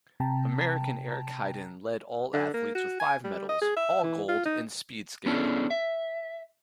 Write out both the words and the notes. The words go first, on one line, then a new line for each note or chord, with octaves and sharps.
American Eric Heiden led all athletes with five medals, all gold, in speed skating.
C3 G5 A5 A#5
D3
A#3
F#4
G#5
G3
D#5
G#4
E5
E3
F4
D#4
B3 C#4 D4 E4 G#4 A4
E5